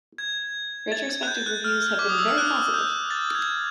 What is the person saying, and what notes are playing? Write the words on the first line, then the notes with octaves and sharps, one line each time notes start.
Retrospective reviews have been very positive.
G#6
A6
G#6
F#6
G6
F#6
F6
D6
D#6
E6
F6
F#6
G6
A6
G#6